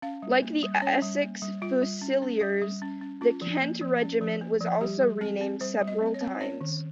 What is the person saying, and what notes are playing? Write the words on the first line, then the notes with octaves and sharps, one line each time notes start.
Like the Essex Fusiliers, the Kent Regiment was also renamed several times.
C#4 F5
G3
A#3
G3
C#4 C#5
G3
A#3
G3
G3 F4
G3
C#4
C#4
G3
G3
C#4
C#4
C#4 F4
F3
A#3
F3
C#4
F3
A#3
F3
G3 G4
G3
C4 G#4
C4
G3 C5
G3
D#5
C4
C#5
C4
C#4 C#5
D#3